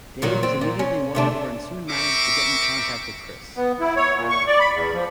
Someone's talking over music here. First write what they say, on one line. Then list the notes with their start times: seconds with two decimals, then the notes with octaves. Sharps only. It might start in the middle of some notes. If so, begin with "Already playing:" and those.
Dave was immediately won over and soon managed to get in contact with Chris.
0.22 A#2 D#3 F#3
0.43 C4
0.61 A#2
0.79 C#4
1.15 C3 A3 D4
1.90 C4 A#4 E5 C#6 D6
3.57 B3
3.80 E4
3.96 C#5
4.16 A#2
4.29 C#6
4.47 D5
4.59 B5
4.74 E2
4.94 F3